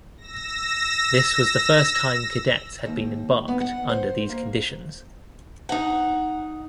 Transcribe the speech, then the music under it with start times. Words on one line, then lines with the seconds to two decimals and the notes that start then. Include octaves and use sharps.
This was the first time cadets had been embarked under these conditions.
0.17 E6 A#6
2.86 D#2
3.48 B3
3.60 F#5
3.89 C5
4.29 A#3
5.69 D#4 F#5